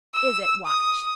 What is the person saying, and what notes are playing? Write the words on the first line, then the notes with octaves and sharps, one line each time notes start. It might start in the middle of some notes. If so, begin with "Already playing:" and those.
"Is it, Watch?"
E6
D#6